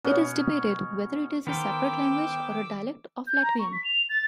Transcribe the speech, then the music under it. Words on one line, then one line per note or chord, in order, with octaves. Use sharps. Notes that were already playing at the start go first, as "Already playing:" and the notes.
It is debated whether it is a separate language or a dialect of Latvian.
B2 C#4
D#3 B3 A#4 C5 G5 D6 E6
G6
A#5
C#6
B6
F7
A6